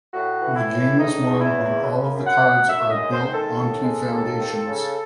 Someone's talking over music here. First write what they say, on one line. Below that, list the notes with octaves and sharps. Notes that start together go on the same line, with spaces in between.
The game is won when all of the cards are built onto the foundations.
A2 F#4
E3
E4
A2
E2 D#4
E2
E4
C#3
F#2
F#2
F#5
F#3
F#2 E5
D#5
G#3
C5
D#3
A4
D#2
G#3
D#2
C4
C#3